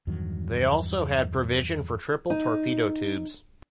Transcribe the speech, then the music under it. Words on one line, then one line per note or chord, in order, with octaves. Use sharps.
They also had provision for triple torpedo tubes.
E2 G2 D#3 F#3
D#4